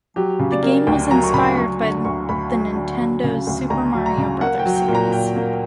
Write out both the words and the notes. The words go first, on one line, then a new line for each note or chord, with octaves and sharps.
The game was inspired by the Nintendo's "Super Mario Brothers" series.
F#3 G4
C#3
D5
A#3
D2 G5
F#3 A#5
C#6
C#3 B5
F#3 C#6
D3 C#6
D2 C#6
D2 B5
F#3
D3
F#3
C#3
D2
D2 A#5
F#3
A#5
C#3
A#3 F#5
G5
F#3
G5
A#2
A#5
A#2 G5
A#3